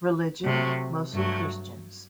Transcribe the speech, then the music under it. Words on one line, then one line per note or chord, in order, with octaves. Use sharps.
Religion: Mostly Christians.
C3 F#3 A3
G2 F#3 A3